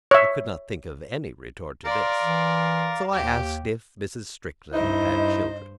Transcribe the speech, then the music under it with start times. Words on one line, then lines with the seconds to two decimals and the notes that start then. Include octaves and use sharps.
I could not think of any retort to this, so I asked if Mrs. Strickland had children.
0.11 C#5 E5
1.85 A#4 D5 F5 C6 D6 A6
2.22 E3
3.13 D#2 G4
4.73 G2 D#4 E4 C5 D#5